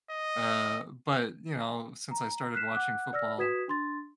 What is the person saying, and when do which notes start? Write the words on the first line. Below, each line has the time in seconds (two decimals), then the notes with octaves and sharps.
uh, but, you know, since I started watching football,
0.11 D#5
2.11 A#5
2.54 F6 F#6 B6 C7 E7
2.75 F#5 D6 F#6
3.13 D5 E6 F6 A#6
3.38 F#4 B4 D#6 G#6 B6 E7
3.68 D4 C6 A6